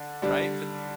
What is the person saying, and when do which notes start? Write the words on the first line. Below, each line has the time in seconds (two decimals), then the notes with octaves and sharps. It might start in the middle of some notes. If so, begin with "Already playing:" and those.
Right, but
Already playing: D3 D4
0.22 D3 G3 D4